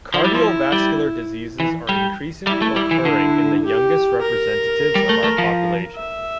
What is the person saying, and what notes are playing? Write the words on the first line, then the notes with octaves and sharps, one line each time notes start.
Cardiovascular diseases are increasingly occurring in the youngest representatives of our population.
F3 E4
G3
F3
G3
E3
G3
G3 E4
A3
G3
E3
D3
G4
A#4
G3
A3
A3
F3
E5